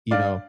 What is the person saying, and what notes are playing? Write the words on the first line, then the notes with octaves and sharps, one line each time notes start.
you know,
G2 D5 F5